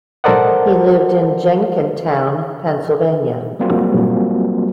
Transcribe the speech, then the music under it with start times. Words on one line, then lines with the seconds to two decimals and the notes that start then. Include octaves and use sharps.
He lived in Jenkintown, Pennsylvania.
0.24 A4 A#4 C5 D5 D#5 F#5
3.59 F#3 G3 A#3 C4 F4 F#4